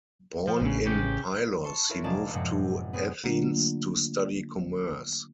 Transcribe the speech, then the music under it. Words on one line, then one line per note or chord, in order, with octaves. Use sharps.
Born in Pylos, he moved to Athens to study commerce.
F3
A1 D2 C#3
C#3 G4
A5 C6 C#6
E4 F#4 A4 A#4 C#5 E5
F1 F3 G#3 D5 A5 A#5
F1 F#2 A2 G#3 C4 F#5
B3 C4 G#4
D3 F#3 A3 A#3 D4 F4